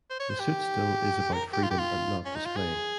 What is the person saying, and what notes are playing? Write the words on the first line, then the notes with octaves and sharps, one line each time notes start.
The suit still is about freedom and not display.
C5
C#5
C5
G4
A#4
G4
F4
G4
F4
C#4
D#4
F4
G#4